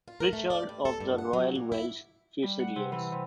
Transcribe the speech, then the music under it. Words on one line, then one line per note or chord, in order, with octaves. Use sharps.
Pritchard of the Royal Welch Fusiliers.
F4
A#4
A3
D5
G2
A4
G2
F#5
F#3
A#2
E4
G3
F#5
C3
E3
C3